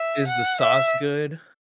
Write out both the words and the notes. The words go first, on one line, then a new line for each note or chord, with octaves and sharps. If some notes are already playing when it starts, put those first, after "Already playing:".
Is the sauce good?
Already playing: E5
F#5
E5